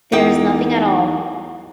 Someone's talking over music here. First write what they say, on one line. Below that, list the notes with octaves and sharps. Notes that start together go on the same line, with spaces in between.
There is nothing at all.
E2 A#3 D#4 G4 G5